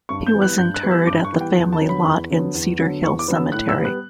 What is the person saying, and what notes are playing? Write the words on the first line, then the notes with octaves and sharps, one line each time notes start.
He was interred at the family lot in Cedar Hill Cemetery.
G2 C#6
G6
E3 G3 B3
F#6
G2 G6
F#6
E3 G3 B3
E6
G2 D6
C#6
E3 G3 B3
G5
E2 A5
A5
D3 F#3 B3
B5
E2
D3 F#3 B3
E2
D3 F#3 B3
E2 C#6
D6
D3 F#3 B3
E6
A2 F#6
E6
G3 B3
F#6